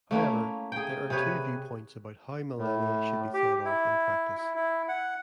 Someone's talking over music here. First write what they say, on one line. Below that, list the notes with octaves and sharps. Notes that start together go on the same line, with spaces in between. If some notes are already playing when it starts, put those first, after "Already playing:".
However, there are two viewpoints about how millennia should be thought of in practice.
A3 A#3 C#4 E4
G#4 G5
C3 G#4 B4 C#5
A2
G4
E4
E4
E4
F#5